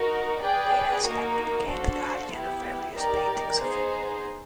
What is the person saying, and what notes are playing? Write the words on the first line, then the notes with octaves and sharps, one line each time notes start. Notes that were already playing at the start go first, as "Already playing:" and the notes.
Later his family became the guardian of various paintings of him.
Already playing: D#4 F#4 A#4
G#4 B4 D5 G5
A#3 D#4 F#4 A#4
D4 F#4 A4 C5 F5
B3 E4 G4
D#4 G4 A#4 D5
B3 D#4 G#4 C5